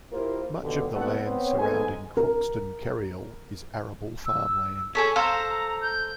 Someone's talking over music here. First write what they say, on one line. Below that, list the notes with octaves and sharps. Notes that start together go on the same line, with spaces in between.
Much of the land surrounding Croxton Kerrial is arable farmland.
A#3 E4 F4 G4 A#4 C5
D#2 B2 D3
C2 C3 A3 B3 D5 F#5
B3 C4 C5 C#5
G#2 G#3 A3 B3 A4 G#5
A#4
E6
G#4 A4 C#5 B6
A4 C5 F5 A#5
G6